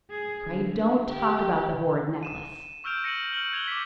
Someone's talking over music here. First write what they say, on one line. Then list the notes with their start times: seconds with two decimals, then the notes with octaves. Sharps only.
"Pray don't talk about the horrid necklace."
0.10 G#4
0.47 D3
1.10 G4
2.23 D#7 E7
2.84 C#6 E6 F6 G6 D7 F7
3.04 A#6 C#7 D#7 F#7
3.32 F6 F#7
3.52 F#6 G#6 C#7 F7 G7
3.68 D6 B6